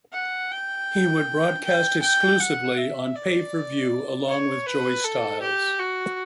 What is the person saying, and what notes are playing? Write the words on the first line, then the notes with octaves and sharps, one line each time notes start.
He would broadcast exclusively on pay-per-view along with Joey Styles.
F#5
G5
G5
G5
F#5
E5
D5
C#5
B4
A4
G4
F#4